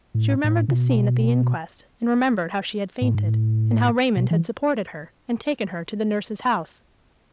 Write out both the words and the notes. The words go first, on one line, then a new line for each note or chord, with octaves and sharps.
She remembered the scene at the inquest, and remembered how she had fainted, and how Raymond had supported her and taken her to the nurse's house.
A2
A2
C#3
B2
A2
G#2
A2
B2
E3